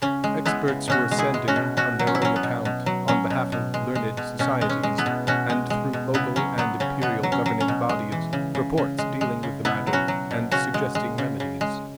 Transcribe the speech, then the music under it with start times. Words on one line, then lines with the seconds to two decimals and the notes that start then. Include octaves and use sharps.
Experts were sending--on their own account, on behalf of learned societies, and through local and imperial governing bodies--reports dealing with the matter, and suggesting remedies.
0.02 C#3 C#4
0.24 G#3
0.46 G#3 B3 E4
0.68 C#3
0.88 B2 C#4 F#4
1.11 G#3
1.18 E4 G#4
1.34 G#3
1.48 C#4 F#4
1.56 B2
1.77 B2 C#4 F#4
1.99 F#3
2.07 C#4
2.15 E4
2.22 F#3 C#4
2.36 B3
2.43 B2
2.65 B2
2.86 F#3
3.08 F#3 C#4
3.30 B2
3.52 B2
3.74 G#3
3.95 G#3
4.17 B2
4.39 B2 C#4
4.61 G#3
4.69 C#4
4.83 G#3
4.98 B3 E4
5.06 B2
5.27 B2 C#4 F#4
5.50 G#3
5.70 G#3
5.93 B2
6.14 C#3 B3 E4
6.36 F#3 C#4
6.58 F#3 B3
6.80 C#3 C#4
7.02 B2 B3
7.23 F#3
7.32 C#4
7.46 F#3
7.60 C#4
7.68 B2
7.89 G#3
8.12 E3
8.33 C#3
8.55 C#3
8.78 C#3
8.98 G#3
9.21 G#3
9.43 C#3
9.65 B2 B3 E4
9.87 F#3
9.93 C#4 F#4
10.08 F#3
10.31 B2
10.51 C#3 C#4 F#4
10.74 G#3
10.95 G#3
11.18 C#3
11.40 C#3
11.61 G#3